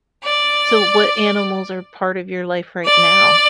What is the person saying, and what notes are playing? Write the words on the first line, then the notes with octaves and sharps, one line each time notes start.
So what animals are part of your life right now?
D5
D5